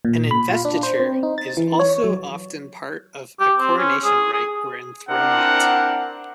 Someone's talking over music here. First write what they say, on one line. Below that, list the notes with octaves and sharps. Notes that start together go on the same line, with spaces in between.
An investiture is also often part of a coronation rite or enthronement.
A#2
B5
F4
D4
C5
C4
D#4
A6
E3
C#5
F#3
G4
C4
C#4
G#4
G#4
C4 D4 E4 A#4 F#5